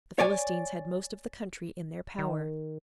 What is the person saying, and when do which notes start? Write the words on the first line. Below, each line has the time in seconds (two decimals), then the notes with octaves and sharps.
The Philistines had most of the country in their power.
0.19 C#5 D5 G#5
2.19 D#3